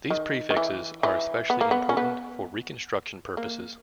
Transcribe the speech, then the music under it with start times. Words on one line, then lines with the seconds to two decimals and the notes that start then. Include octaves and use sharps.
These prefixes are especially important for reconstruction purposes.
0.10 D#3
0.50 D#3
0.57 E3
1.03 E3
1.50 B3
1.61 A#3
1.71 B3
1.89 C#4
1.97 B3
3.37 A#3